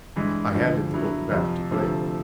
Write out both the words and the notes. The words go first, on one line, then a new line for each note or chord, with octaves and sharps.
I handed the book back to Blake.
G2 E3 G#3
D2 D3 F3
G2 D3 F#3 B3 E4
F2 C3 F3
D2 C3 F3 A3